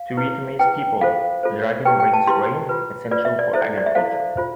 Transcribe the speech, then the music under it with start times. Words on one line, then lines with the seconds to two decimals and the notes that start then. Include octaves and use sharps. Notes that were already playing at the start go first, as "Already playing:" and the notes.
To Vietnamese people, the dragon brings rain, essential for agriculture.
Already playing: F5
0.17 E4 B4
0.59 E4 B4 G5
1.01 F4 A4 C5 F5
1.43 F4 A4 C5
1.85 E4 G4 B4 G5
2.00 G5
2.13 A5
2.27 E4 G4 B4 C6
2.69 F4 B4
3.11 F4 B4 D5
3.25 E5
3.39 D5
3.53 E4 A4 C5 E5
3.78 D5
3.86 E5
3.95 E4 A4 C5 F5
4.37 F4 C5